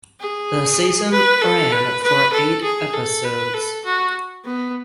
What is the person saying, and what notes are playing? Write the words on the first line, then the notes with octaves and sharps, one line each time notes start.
The season ran for eight episodes.
G#4
B4
A4
B4
B4
A4
G#4
A4
B4
A4
F#4
B3